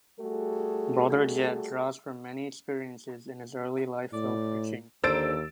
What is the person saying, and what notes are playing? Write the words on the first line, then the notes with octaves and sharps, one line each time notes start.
Brother Jed draws from many experiences in his early life while preaching.
G3 A3 F#4 G#4 A4
A2 D5
D#2 D3 C5 E6 A6 D7